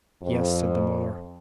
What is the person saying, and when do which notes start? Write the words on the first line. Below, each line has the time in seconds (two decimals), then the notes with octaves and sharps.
"Yes," said the mother.
0.23 F2